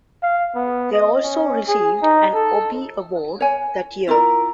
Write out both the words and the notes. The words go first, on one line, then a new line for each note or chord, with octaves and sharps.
They also received an Obie award that year.
F5
B3
D#5
C#4
G#4
D#4
A4
C#5 G#5
E4 F4 A#4 A#5